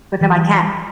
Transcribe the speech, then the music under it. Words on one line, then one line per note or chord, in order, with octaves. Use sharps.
but then my cat
E3